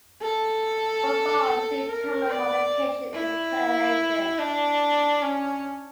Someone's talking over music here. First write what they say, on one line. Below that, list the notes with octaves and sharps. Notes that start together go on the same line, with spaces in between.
One form of C-terminal modification is prenylation.
A4
A#4
D5
E4
D4
C#4